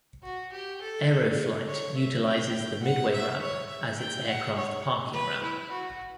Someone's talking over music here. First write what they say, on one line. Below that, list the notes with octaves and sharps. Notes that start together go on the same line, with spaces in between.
Aeroflite utilizes the Midway ramp as its aircraft parking ramp.
F#4
G4
A4
C#5
E5
G5
F#5
E5
C#5
E5
G5
F#5
C#5
B4
E4
F#4